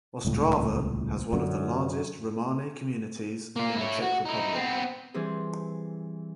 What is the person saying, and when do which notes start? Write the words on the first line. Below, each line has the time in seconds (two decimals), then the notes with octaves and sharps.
Ostrava has one of the largest Romani communities in the Czech Republic.
0.25 D#1 C#2 A2
1.33 F#2 D3
3.56 A#3 F4
3.77 E4 C#5
4.02 F#4
4.25 D#4 E4
4.55 B3 C4
5.14 E3 G3 C4 G#4